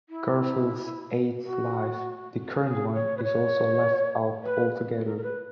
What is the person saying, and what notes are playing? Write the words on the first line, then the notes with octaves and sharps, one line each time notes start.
Garfield's eighth life, the current one, is also left out altogether.
E4
F#4
G#4
C#5
B4
C#5
B4
A#4
A#4
B4